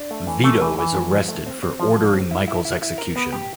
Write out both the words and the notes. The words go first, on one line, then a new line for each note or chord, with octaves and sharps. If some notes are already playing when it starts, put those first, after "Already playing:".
Vito is arrested for ordering Michael's execution.
Already playing: D4
A3
E3
A3
E3
E3
A3
F3
A3
C4
C4
F3
F3
C4
E4
E4
E4
E4
A#4
B3
G4